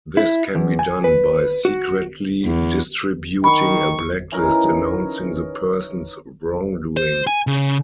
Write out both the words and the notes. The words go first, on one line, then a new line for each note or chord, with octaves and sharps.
This can be done by secretly distributing a blacklist announcing the person's wrongdoing.
E4
E2
G#5
B4
F#4
E2
D#3 B5 C#6
E3 C#4 D#4 A#4
C5
G#5
C#3